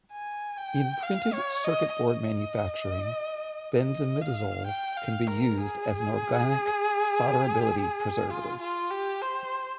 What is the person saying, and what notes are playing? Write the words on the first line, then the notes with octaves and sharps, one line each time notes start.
In printed circuit board manufacturing, benzimidazole can be used as a organic solderability preservative.
G#5
G5
F5
C#5
D#5
D#5
D#5
F5
G5
F5
A#4
G#4
F4
F4
G4
C5